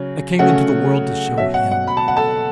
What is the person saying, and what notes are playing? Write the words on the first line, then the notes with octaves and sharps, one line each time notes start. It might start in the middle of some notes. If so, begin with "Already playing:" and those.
I came into the world to show him.
Already playing: C#3 F#3 C#4
C#3 F#3 A3 C#4 F#5
B2 F#3 C#4 E5
F#5
F#5
B5
A5
F#5
A4 A5